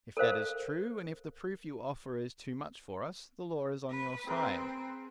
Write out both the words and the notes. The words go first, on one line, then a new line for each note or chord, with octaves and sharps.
If that is true, and if the proof you offer is too much for us, the law is on your side.
A4 A#4 C5 F5
B4
C4 G#4 A#4 B4